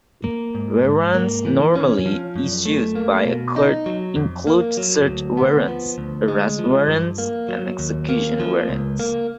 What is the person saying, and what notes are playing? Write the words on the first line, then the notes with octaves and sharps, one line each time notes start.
Warrants normally issued by a court include search warrants, arrest warrants, and execution warrants.
A#3
G#2
G#2
A#3
E3
C#4
F3
F#2
A3
A#3
B2
D#4
F#3
F2
A#3
F#3
D2
B3
F3
D2
G#3
F3
G2
A#3
F#3
D#2
A#3
F3
C#2
A#3